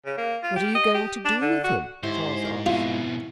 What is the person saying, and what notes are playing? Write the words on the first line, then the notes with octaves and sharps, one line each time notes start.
"What are you going to do with him?" Charles asked.
C#3
A#3
F4
G4
D#5
G4
D4
D3
F#4
G#2 E4 G4 C5 C#5
A#4 D6
F2 B2 E4 F4 C#6